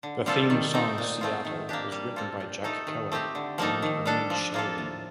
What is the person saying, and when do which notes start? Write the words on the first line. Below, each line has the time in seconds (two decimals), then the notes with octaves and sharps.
The theme song "Seattle" was written by Jack Keller and Ernie Sheldon.
0.03 D3
0.26 G3 C4 F4 A4
0.50 D#3
0.73 A3 C4 D#4
0.98 A#2
1.21 A3 C4 F4
1.45 D#3
1.69 A#3 D4 G4
1.92 G3
2.16 C4 F4 A4
2.40 A#2
2.64 A3 D#4 A4
2.87 D#3
3.12 A3 C4 G4
3.35 D3
3.58 F3 A#3 D#4 A4
3.82 D#3
4.06 G3 D4 A4
4.30 F3
4.54 A#3 F4 A4
4.78 A2